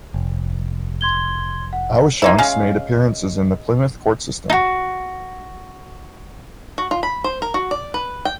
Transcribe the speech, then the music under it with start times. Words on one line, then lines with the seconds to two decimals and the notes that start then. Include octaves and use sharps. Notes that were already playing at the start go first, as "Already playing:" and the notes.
Awashonks made appearances in the Plymouth court system.
0.14 F1
1.01 C6 G#6 G7
1.73 F#5
2.22 A#3 D#4 E4
2.38 G#3 C#4 F5
4.50 D#4 F#4
6.78 F#4
6.91 F4
7.03 B5
7.24 C5
7.42 A#4
7.54 F#4
7.71 D5
7.94 B4
8.25 G5